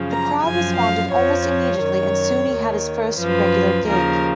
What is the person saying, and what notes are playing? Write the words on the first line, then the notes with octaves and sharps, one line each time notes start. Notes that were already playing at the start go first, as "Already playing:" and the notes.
The crowd responded almost immediately and soon he had his first regular gig.
Already playing: F#2 C#3 F3
A#5
F#2 F3 G#5
F5
F2 F3 C#5
C#5
F#2 D#3
D#2 D#3
F#2 F3 B4
D#2 C#3 F3 A#4